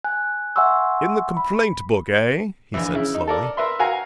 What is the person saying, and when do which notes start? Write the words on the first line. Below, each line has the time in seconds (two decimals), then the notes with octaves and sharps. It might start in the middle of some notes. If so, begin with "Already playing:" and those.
"In the complaint-book, eh?" he said, slowly.
0.04 G#5 F#6
0.56 E5 F#5 G#5 C6 C#6 E6
1.37 B5
2.74 A#1 E3
2.94 C#3 E4
3.14 D#4
3.27 A4 A#4 D5
3.57 A#4 B4 E5 C6
3.79 F#4 A#4 F5 G#5 A#5